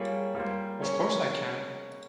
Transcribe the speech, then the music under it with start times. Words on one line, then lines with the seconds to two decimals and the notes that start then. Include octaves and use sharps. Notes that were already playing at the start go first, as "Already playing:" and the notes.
Of course I can!
Already playing: G3 A#3 F4 G#4 C#5
0.35 G3 A#3 F4 C5
0.82 A#3 C#4 G#4 C#5